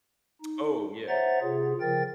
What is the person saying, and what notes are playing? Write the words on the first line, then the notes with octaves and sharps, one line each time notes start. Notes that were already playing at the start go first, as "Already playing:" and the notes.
Oh yeah.
D#4
C5 C#5 E5 F#5 A#5 A6
C3 F4 G#4
C#3 F3 A#4 G5 A6